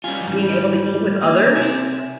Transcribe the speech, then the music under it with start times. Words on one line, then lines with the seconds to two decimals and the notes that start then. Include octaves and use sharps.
being able to eat with others.
0.04 G3 C#4 F4 G#5
0.27 G#2 E3 G3
1.22 A#3 D#5
1.55 C3 E5 G#5